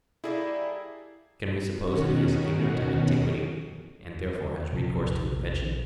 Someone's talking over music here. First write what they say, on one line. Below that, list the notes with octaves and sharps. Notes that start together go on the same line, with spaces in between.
Can we suppose that he is ignorant of antiquity, and therefore has recourse to invention?
G3 A#3 D4 E4 G#4 A4
B2 D#3 C#4 F#4
A#1 C3 F3